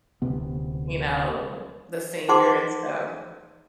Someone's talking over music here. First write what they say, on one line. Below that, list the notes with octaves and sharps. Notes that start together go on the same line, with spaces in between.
you know, the singer and stuff.
D1 D2 C3 B3
D#4 G#4 C5 F#5 C6 D6